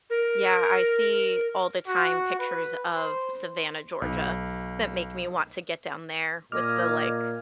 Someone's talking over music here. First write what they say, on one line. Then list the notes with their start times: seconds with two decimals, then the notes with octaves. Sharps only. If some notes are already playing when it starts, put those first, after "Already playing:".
Yeah, I see all the time pictures of Savannah, Georgia that make me want to get down there with the, like
0.10 A#4
1.88 F#4
2.39 B4
2.95 C5
4.02 B1
6.52 A#2 D#5 D6 F6 G#6